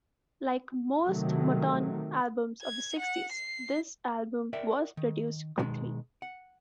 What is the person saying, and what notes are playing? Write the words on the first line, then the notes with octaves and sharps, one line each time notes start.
Like most Motown albums of the sixties, this album was produced quickly.
C3 D#3 F#3 A3
G#6
F#5
C7
A#4 D5 E5 F#5 G5
D#3
B2 D#3 G#3
F#5